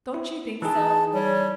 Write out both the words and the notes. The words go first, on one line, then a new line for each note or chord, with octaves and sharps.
Don't you think so?
E4
E3 D#4 G#4 A5
G3 C#5